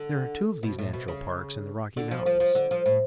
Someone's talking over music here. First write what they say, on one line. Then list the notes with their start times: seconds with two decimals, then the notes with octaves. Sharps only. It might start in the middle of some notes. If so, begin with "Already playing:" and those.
There are two of these natural Parks in the Rocky Mountains.
Already playing: D3
0.63 B2
0.78 A2
0.93 B2
1.08 C#3
1.97 D3
2.11 F3
2.26 F3
2.40 F3
2.55 D3
2.71 F3
2.86 A2